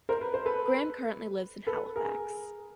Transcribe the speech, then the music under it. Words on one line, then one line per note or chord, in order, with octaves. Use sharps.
Graham currently lives in Halifax.
A#4 C5
B4
C5
A4 B4
A4 B4
G#4 A#4